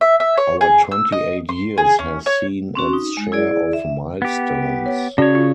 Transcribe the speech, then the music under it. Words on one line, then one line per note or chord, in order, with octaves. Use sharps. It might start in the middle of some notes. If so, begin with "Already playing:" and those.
Our twenty-eight years has seen its share of milestones.
E5
E5
C#5
G#4
E6
D#5
C6
G#4
C#4
C#5
C4 C#4 F#4
D#4
G#3
E4 G#4 D5
E5
B3 G4
C#5
C#3 C#4 F#4 C#5 D5
F4